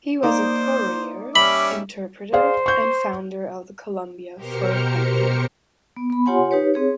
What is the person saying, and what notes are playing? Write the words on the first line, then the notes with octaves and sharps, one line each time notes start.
He was a courier, interpreter, and founder of the Columbia Fur Company.
A#3 D#4 C5 D5
G3 C#4 E5 B5 D6
G#4 C5 D5 F5
C#6 G6
B2 G4 A#4 C5 F6 C#7
B3
B3 B5
F4 G4 C#5 F#5 G#5 C6
D#4 G4 B4 C#5
C4 G#4 C#5